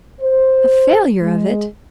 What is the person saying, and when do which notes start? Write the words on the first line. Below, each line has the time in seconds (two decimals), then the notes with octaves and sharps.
"A failure of it!"
0.21 C5
1.22 G#3